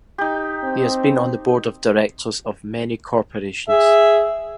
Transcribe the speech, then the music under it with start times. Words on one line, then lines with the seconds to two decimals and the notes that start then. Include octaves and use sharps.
He has been on the board of directors of many corporations.
0.18 D#4 G4
0.63 C4
3.69 G#4 E5